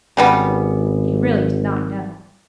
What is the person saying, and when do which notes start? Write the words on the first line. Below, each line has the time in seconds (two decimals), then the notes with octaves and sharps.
He really did not know.
0.17 G#1 C#3 G3 B3